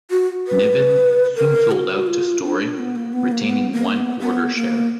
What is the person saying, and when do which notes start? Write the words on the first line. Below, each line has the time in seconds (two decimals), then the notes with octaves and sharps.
Niven soon sold out to Storey, retaining one quarter share.
0.11 F#4
0.47 B4
1.36 A#4
1.71 F#4
2.06 F4
2.43 D4
2.78 B3
2.95 A#3
3.13 B3
3.31 A#3
3.49 B3
3.73 A#3
3.96 B3
4.20 B3
4.55 A#3